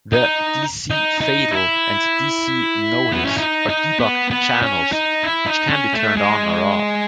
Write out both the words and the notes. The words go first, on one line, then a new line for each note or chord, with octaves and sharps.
The 'dc::fatal' and 'dc::notice' are debug 'channels', which can be turned on or off.
D#4
D#4
D#4
E4
B3
C#4
D#4
D#4
B3
B3
C#4
D#4
E4
D#4
C#4
A3
G#3